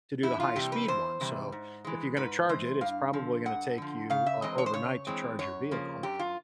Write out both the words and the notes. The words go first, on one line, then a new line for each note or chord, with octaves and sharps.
to do the high-speed one, so if you're gonna charge it, it's probably gonna take you, uh, overnight to charge your vehicle."
E2 E4
F4
C3 E3 G3 G4
B4
E2 C5
C3 E3 G3
G#2
E3 G#3
G#2 B4
E3 G#3 C5
G2 F5
D3 F3
G2 F#5
D3 F3
C#3 F5
E5
E3 G#3 C4 D#5
C#5
C5
C#3 C#5
E3 G#3 C4
F#2 C#5
C#3 F3 A#3
F#2 G4
F4